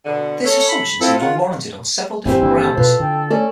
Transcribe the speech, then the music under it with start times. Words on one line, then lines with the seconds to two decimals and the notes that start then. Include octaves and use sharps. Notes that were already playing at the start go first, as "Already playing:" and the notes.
This assumption seems unwarranted on several different grounds.
0.05 B2 D3
0.45 C#4 A4 C#5
0.68 B5
1.01 C4 E4 F4 A4
1.19 D#3 F4 F#5
2.25 F#1 C3 E3 C4 G4 C5
2.41 G1 A#3 D4 E4
2.55 A4
2.77 B2 F4 B4
3.00 D3 G5
3.30 A3 C#4 A4 D5